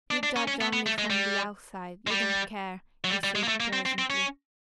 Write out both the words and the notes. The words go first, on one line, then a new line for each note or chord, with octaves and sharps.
"You judge only from the outside--you don't care," he said presently.
D4
D4
C#4
C#4
B3
B3
A3
G#3
G3
G#3
G3
F#3
G3
G3
G#3
A#3
A3
A#3
C4
C4
C4
C#4